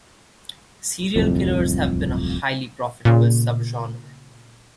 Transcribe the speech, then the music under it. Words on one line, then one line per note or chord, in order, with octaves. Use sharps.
Serial killers have been a highly profitable subgenre.
D1 C2 F2
A#2 C#3